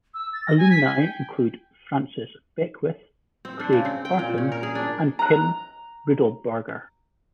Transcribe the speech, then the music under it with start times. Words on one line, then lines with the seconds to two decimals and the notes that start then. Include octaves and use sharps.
Alumni include Francis Beckwith, Craig Parton and Kim Riddlebarger.
0.14 E6
0.33 A6
0.46 A#6
0.58 G#5
0.71 B6
0.84 G#5
0.99 G5
3.45 C4
3.60 D4
3.73 C#3
3.85 C4
4.05 G5
4.19 A#2
4.38 C#4
4.52 A#4
4.63 G#4
4.75 D4
5.19 A#5 F#6